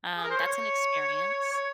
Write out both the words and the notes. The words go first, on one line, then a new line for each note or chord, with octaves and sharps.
Um, that's an experience."
G#4
A#4
C5
C#5
C#5